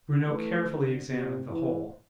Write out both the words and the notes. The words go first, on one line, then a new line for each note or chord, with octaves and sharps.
Bruno carefully examined the hole.
E3 A3
D3
C3
E3